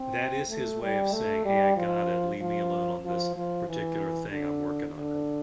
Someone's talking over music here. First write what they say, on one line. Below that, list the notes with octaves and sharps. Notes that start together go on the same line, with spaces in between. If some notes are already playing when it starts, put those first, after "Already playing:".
That is his way of saying, "Hey, I got it, leave me alone on this particular thing I'm working on," right.
Already playing: C4
A3
G3
A3
G3
F3
F3
F3
F3
E3
D3
D3